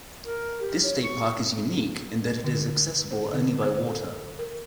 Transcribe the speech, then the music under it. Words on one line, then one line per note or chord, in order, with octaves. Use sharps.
This state park is unique in that it is accessible only by water.
A#4
G4
C#5
C#6
D3
C5
D3
C5
A4
A#4